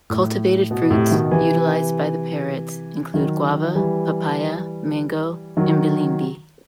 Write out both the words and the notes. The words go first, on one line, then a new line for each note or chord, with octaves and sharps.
Cultivated fruits utilised by the parrots include guava, papaya, mango and bilimbi.
A2
B2
A2 C3
B2 D#3
C3 E3
D#3 F#3
E3 G3
D#3 F#3